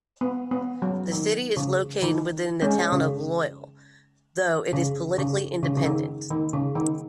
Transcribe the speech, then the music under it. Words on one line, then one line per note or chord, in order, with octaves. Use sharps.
The city is located within the Town of Loyal, though it is politically independent.
B3
B3
F#3
D#3
C#3
D#3
G#3 C#4
C#3
C#3
C#3
C#3
C#3
D#3
D#3
C#3
D#3